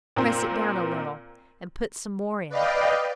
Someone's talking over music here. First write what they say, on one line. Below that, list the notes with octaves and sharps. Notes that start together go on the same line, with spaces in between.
Press it down a little, and put some more in.
A#2 C4
B4 D5 D#5 F5 G5